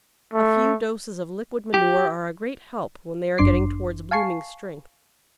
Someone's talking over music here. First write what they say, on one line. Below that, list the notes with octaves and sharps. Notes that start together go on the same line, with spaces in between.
A few doses of liquid manure are a great help when they are getting towards blooming strength.
A3
G4
G1 F#2 D4 C6 D6 C7
F5 G#5 A5 C#6 C7